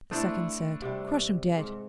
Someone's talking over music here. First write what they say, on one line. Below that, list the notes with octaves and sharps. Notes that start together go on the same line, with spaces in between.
The second said, 'Crush him dead.'
A3 D4 E4 C5
C3 G3
G#2